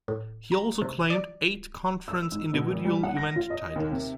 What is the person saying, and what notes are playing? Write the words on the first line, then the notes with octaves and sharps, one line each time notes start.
He also claimed eight conference individual event titles.
A2
A#5
C3
D5
E6
G#2
B2
G#1
G3
F#5
A#6
F4
D#5
D#2
C3